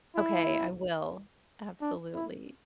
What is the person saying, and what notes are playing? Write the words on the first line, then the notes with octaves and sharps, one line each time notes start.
Okay, I will. Absolutely.
E4
D4
E4